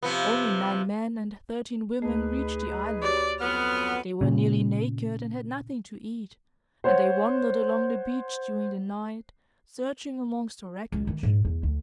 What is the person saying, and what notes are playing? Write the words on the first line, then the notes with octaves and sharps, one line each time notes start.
Only nine men and thirteen women reached the island; they were nearly naked and had nothing to eat, and they wandered along the beach during the night, searching amongst the wreckage.
C3 F3 B3
D2 A3 D#4 G#4 B4
F#4 G4 C#5 D5
F2 F#3 B3 F6
A#2 C#3
C5 C#5 F#5
C#2
D#3 E3
G#2
E2
D2